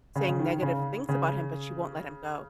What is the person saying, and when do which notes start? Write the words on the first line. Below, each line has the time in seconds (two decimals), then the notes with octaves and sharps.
saying negative things about him, but she won't let him go.
0.16 C#3
0.28 C#3
0.39 D#3
0.62 C#3
1.09 C#3